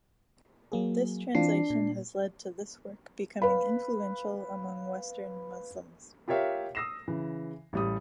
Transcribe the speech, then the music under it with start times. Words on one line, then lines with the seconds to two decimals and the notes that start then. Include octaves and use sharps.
This translation has led to this work becoming influential among Western Muslims.
0.72 F#3 A#3 G#4
1.35 E3 C4 D4 F4 C7
1.70 A#2
3.42 B4 F5 B5
6.28 F4 G4 A#4 C#5 E5 F5
6.75 D#6 E6 A#6 C7 E7
7.08 C#3 E3
7.73 A1 G3 D#6